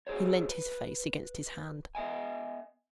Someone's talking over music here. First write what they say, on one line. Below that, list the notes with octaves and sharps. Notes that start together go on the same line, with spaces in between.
He leant his face against his hand.
F#4 G#4 C5 C#5
B4
B3 D#5 E5 G#5